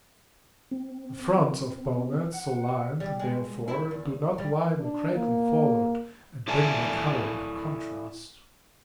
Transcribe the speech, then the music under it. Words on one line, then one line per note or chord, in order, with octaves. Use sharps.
The fronts of bonnets so lined, therefore, do not widen greatly forward, and bring their color into contrast.
C4
F#5
G3
G#3
E4
E2
G3
D4
A#3
E4 A4 D5 E5 G#5 A5